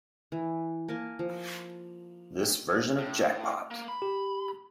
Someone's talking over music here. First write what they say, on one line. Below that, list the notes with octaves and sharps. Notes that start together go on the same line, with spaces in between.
This version of Jackpot!
E3
A#3 A#4 G#5 A5
F3
E5 G5
A2
A#3
B5
G4